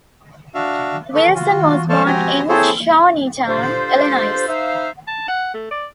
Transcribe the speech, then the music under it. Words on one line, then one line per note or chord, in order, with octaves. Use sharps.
Wilson was born in Shawneetown, Illinois.
D4 F#4 E5 F5
A4 B4 C#6
F4 F#4
A4 C5 D5 F5 A5 C#6
C4 F#4 G4 G#5 A#5
C4 E4 G#4 A4 C5 C#5
D4 F4 G4 A4 C5
D#4 C5 E5 F5
A5
F#5
A3
D5